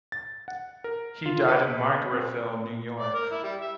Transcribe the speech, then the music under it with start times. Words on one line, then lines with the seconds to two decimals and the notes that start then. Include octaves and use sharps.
He died in Margaretville, New York.
0.12 A6
0.48 F#5
0.84 A#4
1.26 F4
1.48 B4
2.12 C4
3.00 D5
3.14 A#4
3.32 E4
3.43 G3
3.62 E5